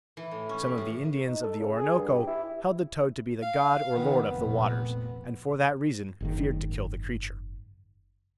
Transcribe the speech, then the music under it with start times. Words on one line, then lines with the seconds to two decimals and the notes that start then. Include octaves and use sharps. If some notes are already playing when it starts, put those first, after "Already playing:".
Some of the Indians of the Orinoco held the toad to be the god or lord of the waters, and for that reason feared to kill the creature.
0.17 E3
0.31 A2
0.49 C#4
0.63 G4
0.78 A2
1.27 D#4
1.43 A4
1.59 C#3
1.76 G#4
1.96 G2
2.14 G4
2.27 E4
3.42 F5
3.96 D#3 B3
4.31 F1 A#2 B3
6.21 F#1 G#2 D#3